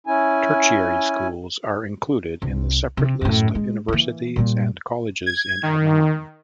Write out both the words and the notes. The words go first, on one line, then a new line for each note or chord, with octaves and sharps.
Tertiary schools are included in the separate list of universities and colleges in Oman.
C#4 E4 G#5
C2
C3
F#2 A2
G#3
E3 A#3
A#2 G3
G#6
D#3